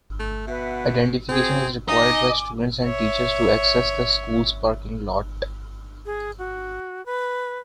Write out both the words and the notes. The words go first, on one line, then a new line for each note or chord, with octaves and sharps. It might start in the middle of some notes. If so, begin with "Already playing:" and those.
Identification is required by students and teachers to access the school's parking lot.
A3
B2 B4 E5 F#5
C4 F#4 G#4
D#4 D#5 G#5 D6
C#5 E5
G#4
F#4
B4